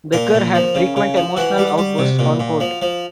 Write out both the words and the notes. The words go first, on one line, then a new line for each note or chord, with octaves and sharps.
Becker had frequent emotional outbursts on court.
A#2 A#4
A#2
F3
C#3
C#3
F3
E3 F#4
G3
G3
C3
A#2
A#2
F3
F3